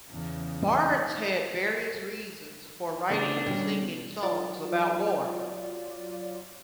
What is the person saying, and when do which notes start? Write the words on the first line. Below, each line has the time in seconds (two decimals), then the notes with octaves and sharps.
Bards had various reasons for writing and singing songs about war.
0.11 E2 C#3
3.10 C#3 A3 B3 D4
3.46 B2 D3 D#3 G3 B3 C#4
4.23 F#3 F4 D5